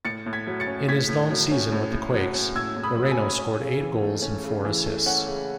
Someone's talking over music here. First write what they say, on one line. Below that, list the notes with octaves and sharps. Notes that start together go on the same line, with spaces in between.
In his lone season with the Quakes, Moreno scored eight goals and four assists.
A2 A6 C#7
A2
G#6 B6
F#3
A6 C#7
C#4
A2 G#6 B6
A2
F#3
C#4
A2
A2
F#3
C#4
A2 E6 G#6
A2
B5 D#6
F#3
G#5
C#4
C#4
C#3
E3
A3
C#4
C#3
E3
A3
C#4 F#5
C#3